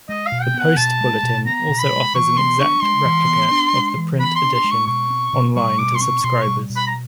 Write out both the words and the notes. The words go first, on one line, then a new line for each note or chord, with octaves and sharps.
The "Post-Bulletin" also offers an exact replica of the print edition online to subscribers.
G#3 D#5
F5
B2
G5
B3
F#5
B2 A5
G#3
B2
B3 A#5
B2
B5
G#3
E3 C#6
B3 C6
D4 C#6
G#3 C6
E3
B3
D4
G#3
E3
B3 B5
C6
D4
C6
G#3
C#6
B2 C#6
C4
B2
G3 C#6
B2 D6
C6
C4 C#6
B2 C6
C#6
G3
B2
B5
A#5